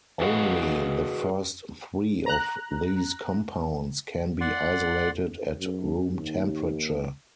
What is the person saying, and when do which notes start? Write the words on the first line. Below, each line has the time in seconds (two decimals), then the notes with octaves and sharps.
Only the first three of these compounds can be isolated at room temperature.
0.21 F#4 G#4 B4 D#5 F5 F#5
2.26 A#5 F#6
4.41 D5 F#5 C6
5.60 F#2
6.10 D#2